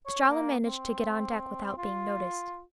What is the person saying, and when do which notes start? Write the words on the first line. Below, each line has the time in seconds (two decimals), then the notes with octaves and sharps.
Estralla managed to get on deck without being noticed.
0.06 C#5
0.29 A#3
0.62 C4
1.77 F4